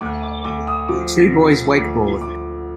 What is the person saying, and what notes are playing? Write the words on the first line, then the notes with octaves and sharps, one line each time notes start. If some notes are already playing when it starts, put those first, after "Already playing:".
Two boys wakeboard.
D2 D6
D6
D2 D6
D#6
F3 D6
D3
D2 D6
D2 D6